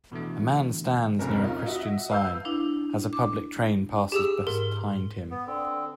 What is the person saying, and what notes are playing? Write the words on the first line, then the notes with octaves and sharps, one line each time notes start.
A man stands near a Christian sign, as a public train passes behind him.
B2 D3 E3 A3
F1 B1 C#4 A#4
C#4 D#4 F4
F#4 D#5 E5
B4 F5 E6 G6
D4 E4
D6
G4 G#4 E6
G#2 A#4
B3
D3 C4